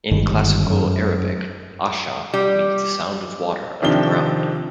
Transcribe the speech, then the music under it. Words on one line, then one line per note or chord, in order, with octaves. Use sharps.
In Classical Arabic, Ahsa means the sound of water underground.
G1 G2 D#3 G#3
F#2
G3
C3 D#3 F3 D4 G7